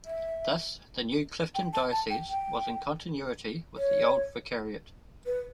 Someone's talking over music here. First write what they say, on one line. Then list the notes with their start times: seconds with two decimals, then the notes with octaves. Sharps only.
Thus the new Clifton diocese was in continuity with the old vicariate.
0.06 E5
1.55 G5
1.73 A5
1.92 A5
2.10 G5
2.29 G5
3.77 C#5
5.26 B4